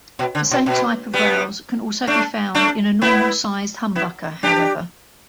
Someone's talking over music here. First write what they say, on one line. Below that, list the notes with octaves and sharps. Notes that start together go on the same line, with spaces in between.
The same type of rails can also be found in a normal-size humbucker, however.
B2
D3
B2
B2
G3 B3
A3 D4
A3 D4
B3 E4
B3 E4
D4 G4